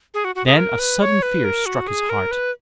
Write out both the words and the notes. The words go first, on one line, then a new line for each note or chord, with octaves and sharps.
Then a sudden fear struck his heart.
G#4
F#4
F#4
G#4
A#4
B4
C#5
B4
A#4
F#4
G#4
A#4
B4